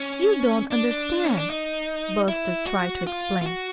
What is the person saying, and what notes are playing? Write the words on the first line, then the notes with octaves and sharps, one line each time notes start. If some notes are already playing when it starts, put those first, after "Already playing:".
"You don't understand," Buster tried to explain.
Already playing: C#4
D4
C#4
D4
D#4
E4
F#4
F4
F4
F#4